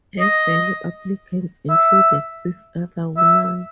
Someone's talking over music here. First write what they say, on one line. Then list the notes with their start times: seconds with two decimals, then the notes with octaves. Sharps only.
Her fellow applicants included six other women.
0.20 D#5
1.69 E5
3.17 E5